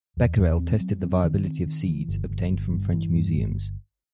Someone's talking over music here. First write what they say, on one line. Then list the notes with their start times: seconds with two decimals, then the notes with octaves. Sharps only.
Becquerel tested the viability of seeds obtained from French museums.
0.17 E2
0.38 E2
0.60 C4
0.80 F#3
1.02 C4
1.24 D#3
1.44 C4
1.66 D#3
1.88 E3
2.09 G1
2.29 G1
2.51 G1
2.73 G2
2.94 E3
3.15 G2
3.36 G1